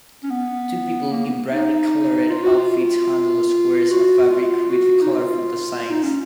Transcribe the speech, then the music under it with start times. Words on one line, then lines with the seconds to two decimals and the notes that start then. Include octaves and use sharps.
Two people in brightly colored outfits handle squares of fabric with colorful designs.
0.23 C#4
0.31 B3
1.11 A#3
1.24 B3
1.51 D#4
2.30 F4
2.43 F#4
2.57 F4
3.90 F#4
4.30 F4
4.70 F#4
5.02 D#4
5.11 F4
5.90 D#4
6.03 C#4